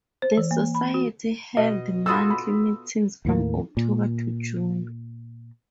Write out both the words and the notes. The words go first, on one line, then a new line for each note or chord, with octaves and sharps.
The society held monthly meetings from October to June.
C5
E3
A#3
B5
F#4
B2 D#5
F4 F#4 A4 B5 D#6 E6
B5
D#2 A2 A#3
A#2